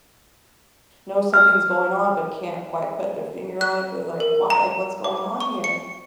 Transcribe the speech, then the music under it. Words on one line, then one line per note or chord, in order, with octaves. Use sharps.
knows something's going on but can't quite put their finger on it, but, like, why like, what's going on here?
F6
F#6
A#4
A#5
D6
C#6
C#7